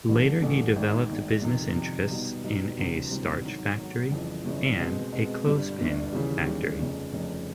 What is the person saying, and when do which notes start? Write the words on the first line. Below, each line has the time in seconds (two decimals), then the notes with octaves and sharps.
Later he developed business interests in a starch factory and a clothespin factory.
0.09 A1 G2 E3 A3
0.42 A1 G2 E3 A3
0.76 G#1 G#2 D#3
1.09 G#1 G#2 D#3
1.42 F2 C3 D#3
1.76 F2 C3 D#3
2.09 B2 G3 B3 D#4
2.44 B2 G3 B3 D#4
2.77 D2 C3 E3 G3 C4
3.10 D2 C3 E3 G3 C4
3.44 G#2 D#3 F#3
3.77 G#2 D#3 F#3
4.11 G1 F2 C#3 E3
4.45 G1 F2 C#3 E3
4.78 B2 G#3 C4
5.12 B2 G#3 C4
5.46 G1 G2 D3 G3
5.78 G1 G2 D3 G3
6.12 D#2 C#3 E3 G3
6.46 D#2 C#3 E3 G3
6.80 F1 F2 C#3
7.14 F1 F2 C#3